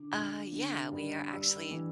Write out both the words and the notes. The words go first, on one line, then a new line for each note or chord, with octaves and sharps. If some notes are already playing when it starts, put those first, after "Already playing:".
Uh, yeah, we are actually
Already playing: D3 D6
D2
D3
G2
G3 E6
E3